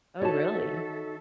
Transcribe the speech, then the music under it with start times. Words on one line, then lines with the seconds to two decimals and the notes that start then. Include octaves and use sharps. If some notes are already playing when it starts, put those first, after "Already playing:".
Oh, really?
0.21 D#3 D#4 F#4 A4 C#5 E5 A5